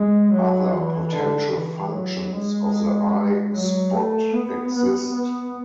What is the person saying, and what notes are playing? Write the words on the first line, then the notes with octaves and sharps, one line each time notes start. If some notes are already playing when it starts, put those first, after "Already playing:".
Other potential functions of the eye spot exist.
Already playing: G#3
F#3
E3
D3
E3
F#3
G#3
F#3
A3
B3
B3
B3